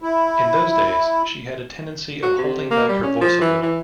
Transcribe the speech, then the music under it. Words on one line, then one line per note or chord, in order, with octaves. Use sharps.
In those days, she had a tendency of holding back her voice a little.
E4
F#4
C3
A#3
G3
C#4
F3
E3
E3